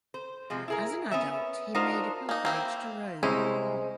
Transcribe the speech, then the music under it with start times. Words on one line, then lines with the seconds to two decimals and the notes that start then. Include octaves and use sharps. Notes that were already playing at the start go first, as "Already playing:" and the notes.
As an adult he made a pilgrimage to Rome.
0.14 C5
0.50 C3 F3 G#3
0.68 E4 G#4 A#4
1.11 B3 C#4 E5
1.74 D4 D#4 F4 F#4 A#4 C5
2.29 A#3 D#4
2.45 A#3 C4 E4
3.23 C2 G#3 C#4 E4 G#4 C5 D#5